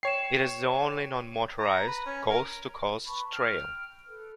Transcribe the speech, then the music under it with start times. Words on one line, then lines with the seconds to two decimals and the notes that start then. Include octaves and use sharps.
It is the only non-motorized coast-to-coast trail.
0.03 C#5 G5 C7 E7
1.60 A#5
1.87 B4
2.06 C#4
2.29 A#4
3.07 B4 A5 B5 C#6
3.31 G5 F6
4.07 A4 B4